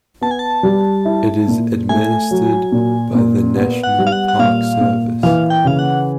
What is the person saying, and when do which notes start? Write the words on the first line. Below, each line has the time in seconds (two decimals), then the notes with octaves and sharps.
It is administered by the National Park Service.
0.21 B3 A5
0.31 G#5
0.39 A5
0.63 G3
1.05 E4
1.48 A#2
1.89 A3 G#5
2.31 F#3
2.72 A#2
3.15 A#2
3.56 B3
3.83 F#5
3.98 G3
4.07 F5
4.12 F#5
4.28 F#5
4.39 A#2 F5
4.81 A#2
5.23 E3 F5
5.50 G5
5.65 C#3 F5
5.79 F#5